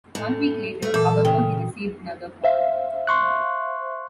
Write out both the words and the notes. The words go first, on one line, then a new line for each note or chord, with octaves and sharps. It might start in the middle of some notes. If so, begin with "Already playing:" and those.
One week later, however, he received another call.
A2
A3
A#2 E3 A4
C#3 G5
C5 E5 F5
C6 C#6 F#6